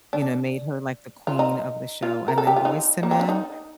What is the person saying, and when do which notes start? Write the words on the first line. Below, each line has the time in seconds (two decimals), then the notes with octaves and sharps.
you know, made her like the queen of the show, and then Boyz II Men,
0.13 D4
1.27 F4
1.39 D#4
2.03 F4
2.28 A#4
2.38 A4
2.47 G4
2.56 F4
2.65 D#4
3.03 A#3
3.11 C4
3.19 D4
3.29 D#4